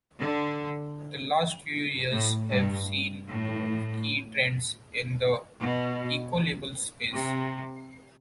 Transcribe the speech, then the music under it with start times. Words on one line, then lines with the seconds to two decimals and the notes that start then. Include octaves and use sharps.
The last few years have seen two key trends in the ecolabels space.
0.19 D3
2.12 A2
2.50 G2
3.27 A2
5.59 B2
7.13 C3